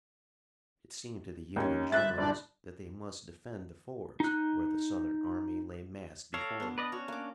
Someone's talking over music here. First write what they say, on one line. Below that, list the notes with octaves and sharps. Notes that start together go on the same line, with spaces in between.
It seemed to the Union generals that they must defend the fords where the Southern army lay massed before them.
D#2 C#4
G1 E5 F#6 A6
G1 C2 D4 D5
D#4 F#6
A4 C#5 D5 F5 A#5
B3 D4
B4 D5 D#5
C#4 D4 F#4 C#5
A#3 D6